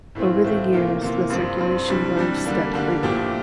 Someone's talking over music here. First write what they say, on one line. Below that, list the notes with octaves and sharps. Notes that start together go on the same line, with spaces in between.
Over the years the circulation rose steadily.
A2 E3 A3 C4 F4
A2 E3 A3 C4 F4
C3 E3 A#3 F4
C3 E3 A#3 F4
G2 F3 C4
G2 F3 C4
C3 E3 G3 D4
C3 E3 G3 D4
D3 G3 A#3 D4
D3 G3 A#3 D4
A#2 F3 A3 E4 G4